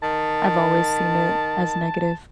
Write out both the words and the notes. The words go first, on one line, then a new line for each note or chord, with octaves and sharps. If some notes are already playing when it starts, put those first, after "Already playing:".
I've always seen it as negative,
D#3 A5